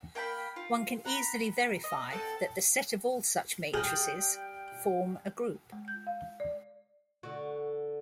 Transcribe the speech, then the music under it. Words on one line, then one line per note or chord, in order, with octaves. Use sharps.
One can easily verify that the set of all such matrices forms a group.
A#3 G5 A#5 B5
F4
F#5 A#5 B5
D#5
C4 A4 F#5
G3 G#4 D#5 G5 F6 G6 F#7
G#3
G6
F5
D5
D3 F#4